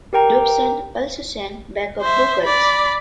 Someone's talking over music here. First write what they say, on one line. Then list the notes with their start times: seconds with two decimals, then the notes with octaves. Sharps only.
Dobson also sang backup vocals.
0.13 G4 A#4 G5 A#5
2.01 C5 E5
2.44 D5 B5